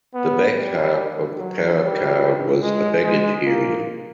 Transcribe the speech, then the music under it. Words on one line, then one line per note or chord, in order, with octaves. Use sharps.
The back half of the power car was a baggage area.
B3
G3
F#3
G3
G#3
G#3
A#3